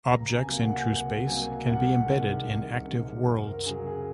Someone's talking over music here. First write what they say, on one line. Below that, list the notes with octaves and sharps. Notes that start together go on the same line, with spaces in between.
Objects in trueSpace can be embedded in Active Worlds.
C#2 A#5
G#5
C3 F#3 A#3
F#5
G#5
C#2 F#5
C3 F#3 A#3 G#5
C2 F#5
C3 D#3 G#3
C2
C3 D#3 G#3
F#2 C5
A#4
C#3 F#3 G#4
G#4